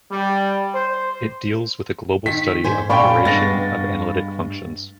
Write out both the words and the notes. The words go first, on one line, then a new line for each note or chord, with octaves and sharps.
It deals with a global study of iteration of analytic functions.
G3
C5
D#3 B6
G#2 C5 G#5
A#2 C#4 C5 D5 F5 G5 B5 C#6
G2 G#3 B3 A6 A#6